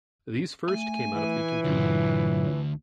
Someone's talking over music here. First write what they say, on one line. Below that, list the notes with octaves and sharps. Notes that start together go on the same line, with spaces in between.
These first came out of the confusion.
A3 G#5
E3
D2 G2 A#2 F#3